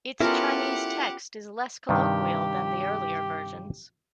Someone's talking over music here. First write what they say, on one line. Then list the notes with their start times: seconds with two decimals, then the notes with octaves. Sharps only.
Its Chinese text is less colloquial than the earlier versions.
0.20 B3 C#4 E4 F4 G4 A4 A#4 F#5
1.89 G2 C3 D#3 G4